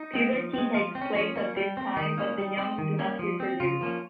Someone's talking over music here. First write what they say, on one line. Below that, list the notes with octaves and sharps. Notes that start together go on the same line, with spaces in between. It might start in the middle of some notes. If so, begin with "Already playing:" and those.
Puberty takes place at this time but the young do not reproduce.
Already playing: D#4
G#3 C4
F3
G#3 C4
F3 F4
C4
C#4
F3 C#4
A#3 C#4
G3
C4
D#3 D#4
A#3 C#4
G3
C4
D#3
G3 A#3 C#4
F3
C4
C#3 F4
F3 A#3 C#4